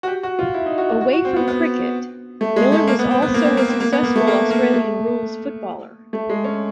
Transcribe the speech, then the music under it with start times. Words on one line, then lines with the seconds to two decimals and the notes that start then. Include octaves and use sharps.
Away from cricket, Miller was also a successful Australian rules footballer.
0.03 F#4
0.08 G4
0.23 F#4
0.39 F4
0.54 E4
0.66 D#4
0.78 F#4
0.89 F#4
1.01 F#4
1.13 F#4
1.25 C4
1.36 B3
1.48 B3
2.41 A3
2.56 G#3
2.72 A3
2.87 A#3
2.99 B3
3.11 C4
3.22 B3
3.34 A#3
3.45 C4
3.57 A#3
3.70 C4
3.80 A#3
3.93 B3
4.04 A#3
4.16 A3
4.27 A#3
4.51 A#3
4.74 A3
6.13 A3
6.30 G#3
6.44 C#4